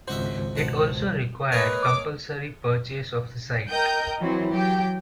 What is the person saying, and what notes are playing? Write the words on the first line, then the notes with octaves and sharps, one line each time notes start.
It also required compulsory purchase of the site.
G#1 C#2 F#4 C5 D#5 E5
B1 F#5 A5
G#3 A#3 A#4 B4 C#5 D#6
D6
A#4 D#5 G5 G6
E3 F#3 C4
F#3 G4 G5